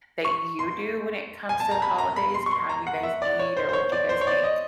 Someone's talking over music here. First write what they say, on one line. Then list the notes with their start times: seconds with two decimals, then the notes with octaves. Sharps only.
that you do when it comes to the holidays and how you guys eat or what you guys make?
0.25 C#6
0.59 C6
1.49 G#5
1.60 A5
1.71 A#5
1.82 B5
1.98 A#5
2.16 B5
2.34 C6
2.46 C#6
2.51 C6
2.69 A#5
2.87 F#5
3.03 E5
3.22 D5
3.39 C#5
3.57 C5
3.69 C5
3.73 C#5
3.92 D5
4.09 C5
4.21 C#5
4.27 D5
4.44 D#5